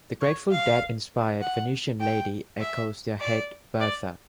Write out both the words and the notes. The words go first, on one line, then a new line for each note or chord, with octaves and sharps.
The Grateful Dead-inspired "Venutian Lady" echoes their hit "Bertha".
C#5
F5
F#5
G5
E5
D5
D5